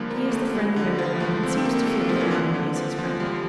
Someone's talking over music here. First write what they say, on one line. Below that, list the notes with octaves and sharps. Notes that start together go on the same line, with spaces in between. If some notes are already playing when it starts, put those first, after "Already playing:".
He is the friend of everyone and seems to feel that everyone is his friend.
Already playing: D3 F3 G3 A#3
A#3
A3
G3
D3
F3
A3
C4
C4
A#3
A3
F3
E3
D3
D3
F3
F3
G3